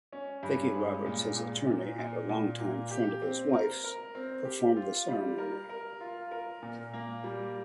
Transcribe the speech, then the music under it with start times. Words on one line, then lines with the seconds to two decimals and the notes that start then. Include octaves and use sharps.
Vicki Roberts, his attorney and a longtime friend of his wife's, performed the ceremony.
0.12 C#4
0.43 G2
0.74 G#3
1.06 A#2
1.36 A#2
1.67 A#2
1.98 A#2
2.29 A#2
2.60 A#3
2.91 G4
3.22 C4
3.53 A#4
3.84 A#4
4.15 C4
4.45 G4
4.76 F4
5.08 G3
5.38 A#4
5.69 A#4
6.00 F4
6.31 A#4
6.62 A#2
6.93 A#3
7.24 G3